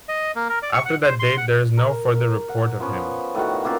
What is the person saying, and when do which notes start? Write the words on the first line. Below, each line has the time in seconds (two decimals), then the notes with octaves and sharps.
After that date, there is no further report of him.
0.09 D#5
0.36 A#3
0.49 A#4
0.62 D5
0.74 C#6
0.85 F#5
1.02 C5
1.19 C6
1.37 F#5
1.77 A#4
2.49 F#5
2.80 F3 B3 C#4
3.35 A2 D#3 F#4 F#5
3.64 A#3 C4 C#4 F4